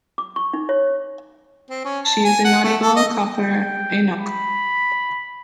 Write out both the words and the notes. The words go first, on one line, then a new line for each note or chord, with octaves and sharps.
She is a notable Copper Inuk.
D6
C#6
D#4
C#5
C4
C#4
A5
G#5
F#5
A3
A4
D#5
G5
B5